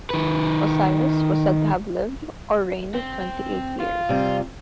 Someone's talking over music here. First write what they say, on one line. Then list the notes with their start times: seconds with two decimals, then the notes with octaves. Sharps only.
Osiris was said to have lived or reigned twenty-eight years.
0.10 D#3 B4
2.95 C4
3.80 F4
4.09 C3 G3